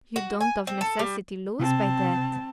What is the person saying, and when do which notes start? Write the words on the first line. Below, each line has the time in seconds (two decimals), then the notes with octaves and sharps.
"You don't of necessity lose by that."
0.16 F#4
0.41 G#5
0.67 C4
0.81 A4
0.99 G3
1.59 C3 C4 A5